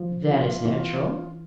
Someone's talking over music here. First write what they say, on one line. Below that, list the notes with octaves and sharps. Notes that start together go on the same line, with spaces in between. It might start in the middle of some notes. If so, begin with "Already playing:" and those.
"That is natural."
Already playing: F3
F4
E3